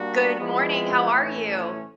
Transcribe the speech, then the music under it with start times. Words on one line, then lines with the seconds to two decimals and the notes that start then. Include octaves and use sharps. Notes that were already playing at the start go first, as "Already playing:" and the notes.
Good morning. How are you?
Already playing: G3 A#3 D4 F#4
0.39 F3 G#3 B3 E4
1.11 A2 E3 A3 C#4